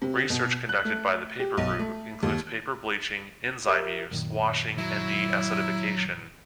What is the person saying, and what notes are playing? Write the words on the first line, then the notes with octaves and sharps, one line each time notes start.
Research conducted by the Paper Group includes paper bleaching, enzyme use, washing, and de-acidification.
C3
B2
F#6
A3
G4
B1
A3
D#2
G4 A#4 E5
F#2 A#2 D#3
F#3 E4